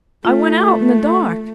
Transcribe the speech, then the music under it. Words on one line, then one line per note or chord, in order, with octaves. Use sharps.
'I went out in the dark.'
A3 F4